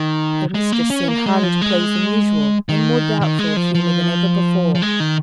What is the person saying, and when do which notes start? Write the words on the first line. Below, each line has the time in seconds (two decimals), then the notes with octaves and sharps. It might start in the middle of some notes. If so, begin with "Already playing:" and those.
Her mistress seemed harder to please than usual, and more doubtful of humor than ever before.
Already playing: D#3
0.54 G#3
0.72 A#3
0.90 C#4
1.08 A#3
1.26 G#3
1.43 F3
1.61 G#3
2.69 D#3
3.21 D#3
3.39 G#3
3.57 F3
3.75 F3
4.75 F3
4.82 G#3
5.00 D#3